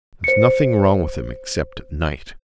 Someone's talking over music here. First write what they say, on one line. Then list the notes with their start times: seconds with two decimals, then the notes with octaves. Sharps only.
There's nothing wrong with him except at night.
0.24 C5 C#7